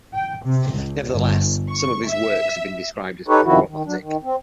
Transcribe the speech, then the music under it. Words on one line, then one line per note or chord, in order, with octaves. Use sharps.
Nevertheless, some of his works have been described as programmatic.
G5
C3
C#2
G1
C#6
E5
D#4 G4 A4 B4 C#5
F#2 C3 D#3 F3 E4 F#4
D#3
F#3 D4
D#3
C4